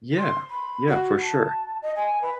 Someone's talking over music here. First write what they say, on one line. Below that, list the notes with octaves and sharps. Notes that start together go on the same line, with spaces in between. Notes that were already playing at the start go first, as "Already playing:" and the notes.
Yeah. Yeah, for sure.
C6
B5
F#4
A5
D#5
G#5
B4